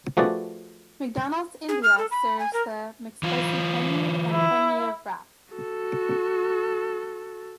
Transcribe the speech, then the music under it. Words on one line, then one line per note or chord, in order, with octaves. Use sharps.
McDonald's India serves the McSpicy Paneer and Paneer Wrap.
F3 A3 F#4 G#4 B4 D5
G#4
F6
A4
B5
G#5
A#4
E3 F4
E4
F#4 A4